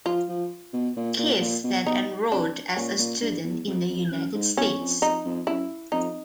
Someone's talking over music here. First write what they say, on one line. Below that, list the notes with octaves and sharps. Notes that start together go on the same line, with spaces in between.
Kiss then enrolled as a student in the United States.
F3 F4
F3
B2
A#2
A#2
A#2
B2
B2 D#4
C3 D4
A#2 C#4
A#2
G2
E2
F2
F2
F#2
G#2
E2 C#4
F2
F2 D#4
F2
F#2 E4
F2 D#4